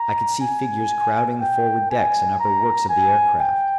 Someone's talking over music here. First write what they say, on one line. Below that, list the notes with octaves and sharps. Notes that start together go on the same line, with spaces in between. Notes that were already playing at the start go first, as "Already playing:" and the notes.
I could see figures crowding the forward decks and upper works of the air craft.
Already playing: A#5
G#5
G5
G#5
A#5
G#5
G5